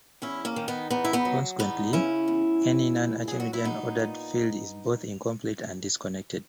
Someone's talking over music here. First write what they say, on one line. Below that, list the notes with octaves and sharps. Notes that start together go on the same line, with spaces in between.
Consequently, any non-Archimedean ordered field is both incomplete and disconnected.
E2 C#4 E4
A#3 C#4
D#3
B3 D#4
E2 B3 D#4
E4
B3 D#4
F#3
E2 B3 D#4
C#3 C#4 E4
E2
E3
A#2
F#3 G#4
F#4
E4
F#3 B3 D#4
A#2